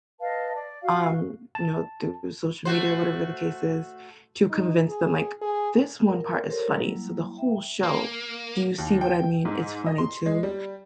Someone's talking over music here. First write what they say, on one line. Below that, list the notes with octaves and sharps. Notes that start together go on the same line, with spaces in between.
um, you know, through social media or whatever the case is, to convince them, like, this one part is funny, so the whole show, do you see what I mean? It's funny too,
B4 D#5 F5 A5
D5
F#4 F5
A5
A3 F#4 C5
D#4
G#4
G#4
A#4
G4 A4 A#4 C5 C#5 C6
F#3 G3 A#3 E4
E5 G5
A#3
D#2
G5
G#2
D#5
C6
G#3
G3